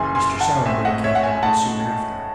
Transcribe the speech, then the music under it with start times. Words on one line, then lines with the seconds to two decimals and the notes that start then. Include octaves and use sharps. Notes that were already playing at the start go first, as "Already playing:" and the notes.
Mr. Sowerberry came down soon after.
Already playing: F#1 F#2 C#3 E3 G#5 C6
0.15 G#5 C6
0.40 F#5 A5
0.66 A1 A2 G#3 C4 E5 G#5
0.85 D#5 F#5
1.04 C#5 E5
1.15 F#5
1.23 E5 G#5
1.43 A2 G#3 D#4 F#5 A5